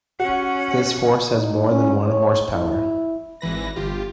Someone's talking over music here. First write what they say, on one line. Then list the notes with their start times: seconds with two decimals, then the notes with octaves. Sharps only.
This horse has more than one horse power.
0.20 C#4 F#4 F#5
1.35 D#4
1.71 C#4
2.08 C#5
2.54 E4
3.41 G#1 E3 B4 A#6
3.76 G1 F4 G4